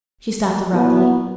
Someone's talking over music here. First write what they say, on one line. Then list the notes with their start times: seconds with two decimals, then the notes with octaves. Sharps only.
She stopped abruptly.
0.70 A#2 F#3 B3 E4